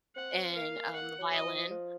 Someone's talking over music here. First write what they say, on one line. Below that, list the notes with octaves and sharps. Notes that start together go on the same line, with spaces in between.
and, um, the violin.
C4 F#5
A#3 F5
A#3 F#5
F#3
D#5
F3
F3